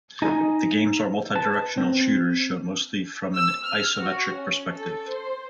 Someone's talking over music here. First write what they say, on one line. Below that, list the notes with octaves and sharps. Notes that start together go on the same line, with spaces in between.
The games are multi-directional shooters shown mostly from an isometric perspective.
D#4 D#5 G#5
B4 A5
C4 C5
E6
F6
F#4
C#4
A4
C5